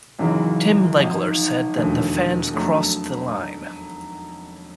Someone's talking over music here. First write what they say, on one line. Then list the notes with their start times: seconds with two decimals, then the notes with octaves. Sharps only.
Tim Legler said that "the fans crossed the line".
0.19 G#1 F#2 C#3 E3 G#3
0.97 G#1 G#2 F3
1.75 E1 D#2 D3 F3 A3
2.54 F2 D3 F#3 A3